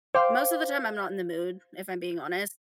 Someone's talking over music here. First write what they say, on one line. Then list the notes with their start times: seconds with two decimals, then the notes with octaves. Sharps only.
most of the time I'm not in the mood, if I'm being honest.
0.15 C5 F5 G5 D6